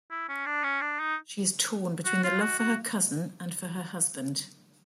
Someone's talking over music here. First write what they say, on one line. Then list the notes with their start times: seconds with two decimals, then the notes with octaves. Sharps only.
She is torn between the love for her cousin and for her husband.
0.11 E4
0.29 C#4
0.46 D4
0.64 C#4
0.81 D4
0.99 D#4
2.06 F#4
2.24 F4
2.41 F#4
2.59 F#4